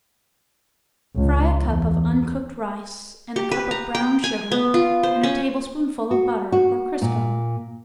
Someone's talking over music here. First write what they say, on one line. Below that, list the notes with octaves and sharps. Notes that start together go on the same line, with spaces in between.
Fry a cup of uncooked rice and a cup of brown sugar in a tablespoonful of butter or crisco.
C#2
E2
G4
B4
A#5
G5
G#5
B3
F4
C5
C#4
F#4
F#4
A#2